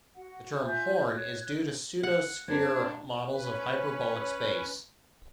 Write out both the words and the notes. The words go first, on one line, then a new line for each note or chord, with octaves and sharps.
The term "horn" is due to pseudosphere models of hyperbolic space.
F#4 F#5
F4 E5 G#5 G6
C#5 F#6 G#6
F#5
C4 D4 A#4 C5 G#6
C#4 B4